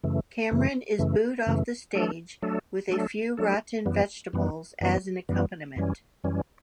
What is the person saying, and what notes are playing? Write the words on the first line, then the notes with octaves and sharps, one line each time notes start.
Cameron is booed off the stage, with a few rotten vegetables as an accompaniment.
F#2 C#3 E3 A3
F#2 C#3 E3 A3
F#2 C#3 E3 A3
F#2 C#3 E3 A3
F#3 A3 D4 A4
F#3 A3 D4 A4
F#3 A3 D4 A4
F#3 A3 D4 A4
F#2 E3 G3 B3
F#2 E3 G3 B3
F#2 E3 G3 B3
F#2 E3 G3 B3
F#2 E3 G3 C#4
F#2 E3 G3 C#4